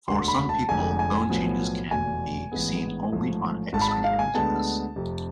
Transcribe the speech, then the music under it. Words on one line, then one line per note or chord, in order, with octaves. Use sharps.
For some people, bone changes can be seen only on X-ray images.
E1 D2 D3 C6
B5
A5
F1 F2 D3 G#3 G#5
G#5
B1 A2 F3 B3
F1 E2 B2 G#5
A1 G#2 E3 G#3 B3
A1 G#2 F3 A3
G#1 G#2 G#3 A5
B5
A5
F5
G#5
D2 D3 G#3 B3 A5
F1 F2 C3